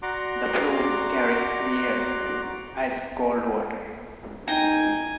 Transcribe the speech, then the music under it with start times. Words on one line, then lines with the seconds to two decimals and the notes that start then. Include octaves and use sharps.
The flume carries clear, ice-cold water.
0.02 F#4 D5 F#5 A#5 C6 D6
4.48 D#4 G5 G#5 A#5